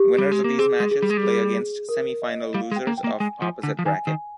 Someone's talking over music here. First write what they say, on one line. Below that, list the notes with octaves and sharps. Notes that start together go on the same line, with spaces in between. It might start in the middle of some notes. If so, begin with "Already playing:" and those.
Winners of these matches play against semifinal losers of opposite bracket.
Already playing: G4
G3
G#3
A#3
C4 G#4
G#3
G#4
G3
G#3
G3
G#4
A#4
D#5
G3 F5
G#3
G5
A#3
G5
A#3
G#3 G#5
F3
D3
F3
D#3 G#5
D#3